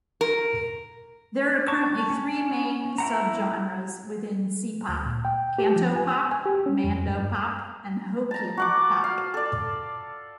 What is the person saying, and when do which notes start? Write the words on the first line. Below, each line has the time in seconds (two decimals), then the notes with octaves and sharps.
There are currently three main subgenres within C-pop: Cantopop, Mandopop and Hokkien pop.
0.21 A#4
1.68 A5 C#6
2.10 C#4
2.98 E4 F#5 A#5
4.89 D2
5.05 A#2
5.25 G5
5.58 G4
5.76 F3
5.96 G#5
6.09 E6
6.31 G#5
6.46 G4
6.66 C#4
6.84 F2
7.08 G2
8.31 A5 A#5
8.57 F#4 F#5 D6
9.04 F5
9.34 A4 D5